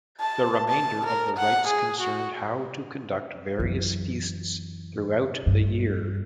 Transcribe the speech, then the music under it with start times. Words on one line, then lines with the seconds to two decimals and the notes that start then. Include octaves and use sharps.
The remainder of the rites concern how to conduct various feasts throughout the year.
0.20 A5
0.68 A5
1.06 A#4
1.37 F#5
1.68 G#4
2.01 F#4
3.58 F#2 E3
5.46 G2